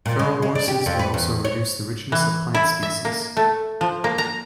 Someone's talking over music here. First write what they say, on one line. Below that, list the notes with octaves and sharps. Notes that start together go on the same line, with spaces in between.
Feral horses may also reduce the richness of plant species.
A#2
G#3
G#3
D4
G4
F2
B4
E2
C#5
E3
E4
E5
A#3
A3
F3
A#3
A#5